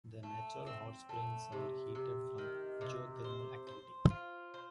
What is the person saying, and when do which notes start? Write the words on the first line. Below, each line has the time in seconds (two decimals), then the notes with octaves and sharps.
The natural hot springs are heated from geothermal activity.
0.23 A3
0.66 C4
1.09 A3
1.52 C3
1.95 C3
2.38 D#3
2.81 C3
3.24 C5
3.67 C5
4.10 F4
4.54 C5